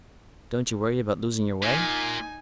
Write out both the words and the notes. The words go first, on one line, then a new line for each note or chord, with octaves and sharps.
"Don't you worry about losing your way?"
A#2 D#4 G#5